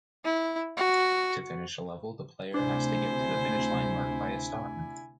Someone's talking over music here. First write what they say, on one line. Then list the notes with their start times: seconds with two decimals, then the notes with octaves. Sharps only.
To finish a level, the player has to get to the finish line marked by a star.
0.25 E4
0.77 F#4
2.54 D2 C3 D4 E4 C5 G#5